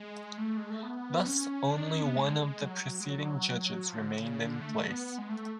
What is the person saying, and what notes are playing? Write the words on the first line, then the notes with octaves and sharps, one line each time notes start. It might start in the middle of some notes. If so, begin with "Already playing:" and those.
Thus, only one of the preceding judges remained in place.
Already playing: G#3
A3
G#3
A3
B3
C#4
D4
C#4
B3
G#3
F#3
G#3
F#3
F#3
F3
D3
C#3
D3
A3
B3
G#3
A3